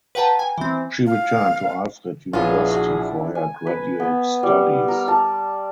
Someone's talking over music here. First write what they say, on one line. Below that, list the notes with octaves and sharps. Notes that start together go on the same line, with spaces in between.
She returned to Alfred University for her graduate studies.
B4 F#5 G5 A5 A#5
G#5
E3 C4
F5
A#1 B3 C#4 D4 E4 F4 G#4
F#4
G#5
B4
B3
G3
A#4
A5